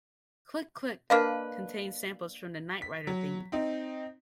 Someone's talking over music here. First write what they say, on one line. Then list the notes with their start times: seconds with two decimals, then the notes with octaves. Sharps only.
"Click Click" contains samples from the "Knight Rider" theme.
1.10 A#3 D4 B4 D#5 F5
2.82 B6
3.07 F#3
3.52 C4 D#4